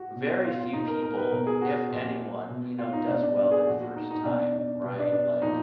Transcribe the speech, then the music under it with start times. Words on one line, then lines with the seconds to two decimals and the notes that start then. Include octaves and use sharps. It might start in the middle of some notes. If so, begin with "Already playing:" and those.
very few people if anyone you know, does well their first time, right? Like
Already playing: F#4
0.15 B2
0.44 F4
0.59 F4
0.73 B2 D#4
0.88 A#4
1.03 A#4
1.17 B4
1.32 B2 A#4
1.47 G#4
1.61 F#4
1.91 A#2 F3
2.49 B2
2.79 F4
2.93 D#4
3.08 B2 D4
3.23 D4
3.37 D4
3.51 G#4
3.67 A#2 F3 F#4
3.82 F#4
3.96 D#4
4.11 D#4
4.24 B2 D4
4.54 D4
4.84 B2 B3
4.99 D4
5.13 D4
5.42 A#2 F3 D#4